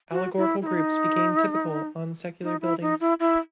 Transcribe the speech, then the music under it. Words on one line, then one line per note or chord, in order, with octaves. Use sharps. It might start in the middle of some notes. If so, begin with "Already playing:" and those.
Allegorical groups became typical on secular buildings.
F#4
E4
E4
D#4
D#4
E4
D#4
E4
E4